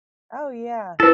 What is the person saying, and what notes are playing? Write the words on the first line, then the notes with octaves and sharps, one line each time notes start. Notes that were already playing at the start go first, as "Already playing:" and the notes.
Oh, yeah.
E4 A4 B4